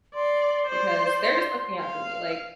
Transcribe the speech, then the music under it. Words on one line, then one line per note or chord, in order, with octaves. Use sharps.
because they're just looking out for me. Like,
D5 C6
C5 D5
F5